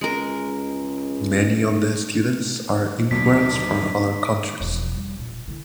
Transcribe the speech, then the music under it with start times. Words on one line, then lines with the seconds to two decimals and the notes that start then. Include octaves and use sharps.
Many of the students are immigrants from other countries.
0.01 C#2 G#3 A#4
3.11 D#2 A2 D3 F#3 A#3 B6
4.60 E1 F3
4.94 G3
5.19 A#2
5.48 D3 E4